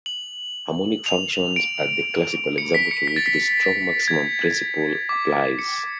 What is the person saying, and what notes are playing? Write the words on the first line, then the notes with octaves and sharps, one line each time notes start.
Harmonic functions are the classical example to which the strong maximum principle applies.
F#7
F7
D7
C#7
B6
C#7
B6
A6
B6
G#6
D6
D6
C#7